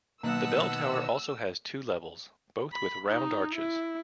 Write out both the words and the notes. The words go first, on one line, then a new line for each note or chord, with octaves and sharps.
The bell tower also has two levels, both with round arches.
B2 D#3 F#3 A#3 F#5 A5 E6 F#6
B5
D#4
E4